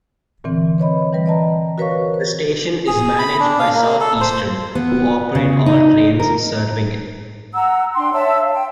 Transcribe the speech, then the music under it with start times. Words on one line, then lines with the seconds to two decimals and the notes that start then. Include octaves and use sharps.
The station is managed by Southeastern, who operate all trains serving it.
0.44 A#2 D3 E3 C4
0.78 B4 C#5 D#5 B5
1.13 E3 G3 B4
1.26 D5 D#5 A5 A#5
1.78 F#4 A#4 B4 C#5 F5 C#6
2.14 C5
2.87 G#4
3.19 B5
3.40 D4
3.59 F5
3.75 A#3
4.01 A4
4.21 C5
4.75 B3
5.35 C#3
5.66 D#4
6.20 A#4
7.53 F#5 A#5 E6
7.94 D4 G5 C6
8.13 C#5 E5 A5 E6
8.42 F5
8.54 G5